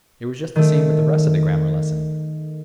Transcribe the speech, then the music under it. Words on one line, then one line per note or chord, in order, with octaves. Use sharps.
It was just the same with the rest of the grammar lesson.
D#3 A3